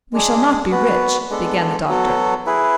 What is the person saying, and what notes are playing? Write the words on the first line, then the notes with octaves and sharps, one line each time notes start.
"We shall not be rich--" began the doctor.
G#3 D4 G#4
B3 F#4 B4
G#3 B3 D4 A4
F#3 B3 F#4 A4
E4 G#4 B4